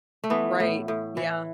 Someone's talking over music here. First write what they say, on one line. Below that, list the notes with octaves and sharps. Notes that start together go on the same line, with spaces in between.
Right. Yeah.
A3
E3 B3
A2
A2
E3